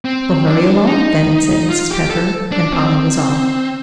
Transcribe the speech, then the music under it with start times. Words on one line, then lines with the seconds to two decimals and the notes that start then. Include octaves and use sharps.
"Well, hurry along then," said Mrs. Pepper, and Polly was off.
0.05 C4
0.46 D4
0.87 D#4
1.70 F4
1.91 G4
2.11 A4
2.52 D4
2.72 C4